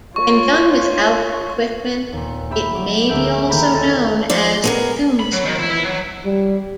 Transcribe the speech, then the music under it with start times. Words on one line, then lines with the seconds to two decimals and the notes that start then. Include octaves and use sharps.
When done without equipment, it may be also known as tombstoning.
0.16 F4 C#5 C#6
2.12 D#2 A#2
2.51 G4 E5 B5
2.75 F#3 D6
3.09 D2 G#3 A#3 E5 D6 G6
3.49 D#3 A3 G4 A#5 B5 E7
3.72 D#1 A4 C5 D#5
4.30 F2 D5
4.64 B3 G#4 A#4
5.19 B5
5.32 F#3
5.45 D#3
5.59 E4
5.72 E4
5.84 F#3
6.25 G3